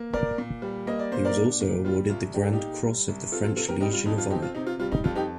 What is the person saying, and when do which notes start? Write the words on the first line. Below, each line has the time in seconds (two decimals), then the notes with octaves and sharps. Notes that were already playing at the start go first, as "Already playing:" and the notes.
He was also awarded the Grand Cross of the French Legion of Honour.
Already playing: A#3
0.13 A#2 A#4 D5
0.38 A#2
0.62 G3
0.87 A#3 D#5
0.99 D5
1.12 A#2 C5
1.25 A#4 D5
1.37 D4
1.61 A#2
1.85 G3 F4
2.09 C2 F4
2.34 D4 G4
2.43 A4
2.53 D#4 G4
2.58 A#2
2.83 G3
3.08 C2
3.32 C4 F4 A4
3.44 F4 A4
3.56 C3 F4 A4
3.69 G4 A#4
3.81 G3 D#4 G4
3.93 F4
4.05 F2 D#4
4.18 F4
4.30 C4 D#4 G4
4.42 F4
4.55 C3 D#4
4.67 F4
4.79 G3 F4
4.92 D#4
5.04 F2 F4
5.16 D#4 G4